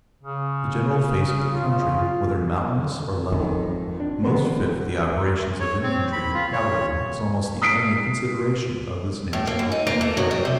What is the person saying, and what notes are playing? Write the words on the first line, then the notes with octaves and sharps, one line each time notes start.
The general face of the country, whether mountainous or level, most fit for the operations of infantry or cavalry, is almost the only consideration of this nature that can occur.
C#3
F4
G#1 F2 D#3
D4
E3 G#3 B3 C4
C#5
C4
B5
F4
C#5
D#6 B6 C7 D7
A2
A#3
F#2
D#4
A#3
A3
F#3
G3
C3